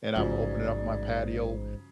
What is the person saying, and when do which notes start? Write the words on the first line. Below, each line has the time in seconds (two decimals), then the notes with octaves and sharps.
and I'm opening up my patio,
0.16 A1 G#2 C#3 F3 F#3 D5